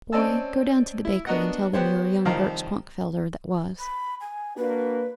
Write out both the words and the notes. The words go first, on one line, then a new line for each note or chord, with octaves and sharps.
Boy, go down to the bakery and tell them you are young Gert Schwankfelder that was.
C4 C#4 D5 D#5 A5 E6
E4
B3 D4 F#4 A#4 D#5 F#5
B3 F#4 G4 C5 C#5
C2 D#3 F3 F5 A#5
B5
G#5
A#3 D4 F#4 B4